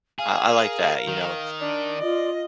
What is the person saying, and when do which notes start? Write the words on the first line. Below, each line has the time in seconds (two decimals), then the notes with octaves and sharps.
I I like that, you know,
0.19 G#4 F5
0.55 A#4
1.07 D#3
1.60 D4 D5
2.00 F4 D#5